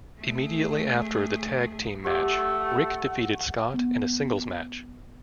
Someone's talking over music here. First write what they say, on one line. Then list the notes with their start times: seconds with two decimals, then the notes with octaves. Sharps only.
Immediately after the tag team match, Rick defeated Scott in a singles match.
0.18 A3 G#4
2.05 A3 G4 F#5 D6
3.74 B3